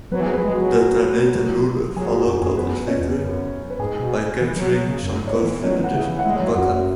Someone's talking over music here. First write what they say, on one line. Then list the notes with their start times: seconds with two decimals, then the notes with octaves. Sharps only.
The Ternatan ruler followed up his victory by capturing some coast villages in Bacan.
0.12 F#3 B3 B4
0.21 E3
0.23 F#3 G#4
0.32 B3 B4
0.38 F#3
0.43 G#3
0.49 G#4
0.53 F#4
0.59 F#3
1.97 F#3 G#4
2.06 B2
2.11 G#2 F#4
2.26 F#2 F#4
2.42 F#2 G#4
2.57 F#2 B3 B4
2.88 C#4 C#5
2.98 E2
3.18 F#2
3.70 B4
3.79 G#2 G#4
4.00 B2
4.41 E3
4.56 F#3
4.72 F#3
4.87 C#3
5.02 F#2
5.23 G#2 C#5
5.33 B3 B4
5.44 E3
5.63 F#3 C#4 C#5
5.79 E3 F#5
5.94 C#3 E4 E5
6.09 E3
6.19 F#5
6.25 G#3 E4 E5
6.36 F#3 C#5
6.46 E5
6.55 F#2 F#4 F#5
6.71 F#2